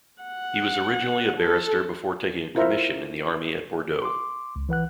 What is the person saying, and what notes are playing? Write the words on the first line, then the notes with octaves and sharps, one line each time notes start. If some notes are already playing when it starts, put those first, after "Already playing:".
He was originally a barrister before taking a commission in the army at Bordeaux.
F#5
A4
E4 F4 A#4 C5 E5 A#5
C6 D6
C#2
E3 B4 F#5 F#6